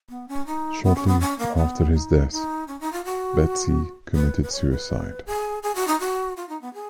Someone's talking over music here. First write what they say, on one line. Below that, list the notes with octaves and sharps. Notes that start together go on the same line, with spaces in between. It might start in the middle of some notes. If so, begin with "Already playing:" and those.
Shortly after his death Betsy committed suicide.
B3
C#4
D#4
B3
C#4
B3
C#4
A#3
B3
D#4
D#4
C#4
D#4
F4
F#4
B4
B4
C#5
B4
G#4
G#4
F#4
D#4
F#4
F4
D#4
B3
G#4